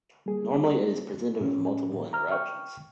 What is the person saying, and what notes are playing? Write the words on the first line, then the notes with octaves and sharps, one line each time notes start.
Normally it is presented with multiple interruptions.
G3 A#3 G#4
A2 C#4
A#5 F6
G5 C#6 F6